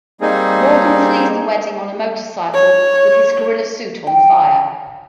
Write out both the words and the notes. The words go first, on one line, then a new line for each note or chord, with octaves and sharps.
Morgan flees the wedding on a motorcycle with his gorilla suit on fire.
G3 A#3 C4 D#4 G#4
C#5
G5